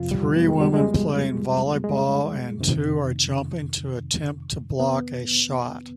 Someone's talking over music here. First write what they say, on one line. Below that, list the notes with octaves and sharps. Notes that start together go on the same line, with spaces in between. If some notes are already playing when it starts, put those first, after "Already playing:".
Three women playing volleyball and two are jumping to attempt to block a shot.
Already playing: F2 C3 F3 F4
G3
B3
G#3
G3
G#3
G#3
F2 C3 D#3
B3